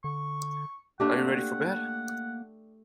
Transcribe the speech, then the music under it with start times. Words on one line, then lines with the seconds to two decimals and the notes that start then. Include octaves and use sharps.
Are you ready for bed?
0.04 D3 C#6
1.00 A3 A#3 D4 G4 F#5